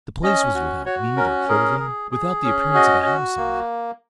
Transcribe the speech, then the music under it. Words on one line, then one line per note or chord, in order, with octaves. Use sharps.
The place was without meat or clothing, without the appearance of a house on it.
C#4 D#5
F#4
F#4 C#5
C#4 A#4
G#4 A#4
G#4
G#4
C#4
F#4 D#5
F#4
A#3